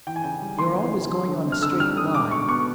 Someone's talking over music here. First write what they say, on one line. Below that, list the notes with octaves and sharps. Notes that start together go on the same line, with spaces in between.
"You're always going on a straight line."
E3 G5
G#5
C#3 G5
G3
A#3 C6
E3
C#3
G3
D3
C4
F6
D3 E6
G3 F6
D3 D#6
G#3 D6
B2 C#6
B3 C#6